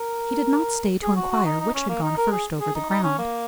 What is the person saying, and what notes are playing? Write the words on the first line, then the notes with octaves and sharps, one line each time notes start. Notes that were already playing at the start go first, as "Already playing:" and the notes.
He did not stay to inquire which had gone first over the ground.
Already playing: A#4
G#4
F#4
F#4
D#4
D#4
C#4
A#3
D#4
A#4
G#4
G#4
D#4
D#4
C#4
A#3